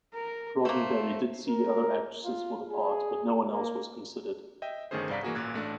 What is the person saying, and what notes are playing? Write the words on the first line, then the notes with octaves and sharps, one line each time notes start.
Roddenberry did see other actresses for the part, but no one else was considered.
A#4
A3 A#3 C5
A#4
F4
G#4
A#3
D#5 E5 G5
G1 D#3 A3 C#4 G#4 C5
C2 G2 D5 F5 A#5 B6
E3 A#3 F#4 G#4
A1 A#2 F#6 G#6
A1 A3 D4